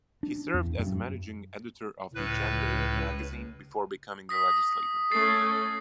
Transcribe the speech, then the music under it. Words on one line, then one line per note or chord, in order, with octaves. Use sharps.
He served as managing editor of the "Gendai" magazine before becoming a legislator.
D4
E2
F#2
C#2 A2 B4
D#6 A#6 B6
A3 C#4 A6 C7